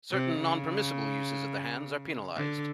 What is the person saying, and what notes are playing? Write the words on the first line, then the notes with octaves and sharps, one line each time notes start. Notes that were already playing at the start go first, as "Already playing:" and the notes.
Certain non-permissible uses of the hands are penalized.
C3
C#3
D3